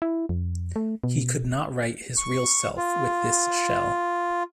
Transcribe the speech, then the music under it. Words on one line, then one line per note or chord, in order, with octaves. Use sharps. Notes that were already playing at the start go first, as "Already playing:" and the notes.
He could not write his real self with this shell.
E4
F2
A3
B2
C#6
F4